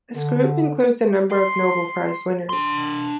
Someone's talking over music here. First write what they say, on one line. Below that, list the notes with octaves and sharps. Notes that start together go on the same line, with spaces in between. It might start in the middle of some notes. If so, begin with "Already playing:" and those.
This group includes a number of Nobel Prize winners.
D3
C6
D4 C6